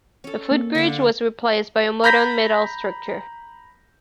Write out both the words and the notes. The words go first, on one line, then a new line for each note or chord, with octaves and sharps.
The footbridge was replaced by a modern metal structure.
C#4 A4
A#3
D3 F5
A#5 B5 G6 A#6 B6